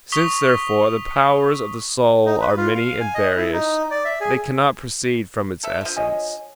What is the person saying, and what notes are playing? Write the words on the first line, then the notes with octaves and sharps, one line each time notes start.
Since, therefore, the powers of the soul are many and various, they cannot proceed from its essence.
C#6 D#6 B6 F7 G7
D#4
B4
F4
F5
G#5
D#5
E4
D#4
D5
E5
G#4
A4 E5
D3 F3
C#5 D#5 G#5